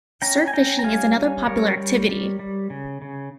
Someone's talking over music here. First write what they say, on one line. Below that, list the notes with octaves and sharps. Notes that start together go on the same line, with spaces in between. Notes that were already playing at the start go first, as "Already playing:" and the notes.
Surf fishing is another popular activity.
C#4 G5 A#5
G#5
C#4 G5 A#5
A#5
G3 F5 G#5
C#4
G3 A#4 C#5
G3
G3
G3
C#3
C#3